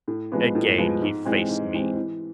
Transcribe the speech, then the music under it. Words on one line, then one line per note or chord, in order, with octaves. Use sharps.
Again he faced me.
A2
F3 G#3 B3
A2
F3 G#3 B3
G#2
E3 G#3 C4
G#2
E3 G#3 C4
E3